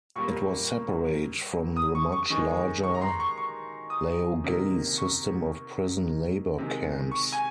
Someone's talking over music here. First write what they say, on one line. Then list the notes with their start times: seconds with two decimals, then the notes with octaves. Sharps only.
It was separate from the much larger "laogai" system of prison labor camps.
0.16 A#2 G3 A#3 C#6
1.77 D#6
1.95 C#6
2.12 C#6
2.30 D#3 G#3 C#6
2.83 C#6
2.95 A#5
3.02 C6
3.20 C#6
3.38 C#6
3.90 D#6
4.44 C3 D#3 A#3
4.98 C#6
6.58 C3 D#3 G#3
7.11 C#6
7.32 G#5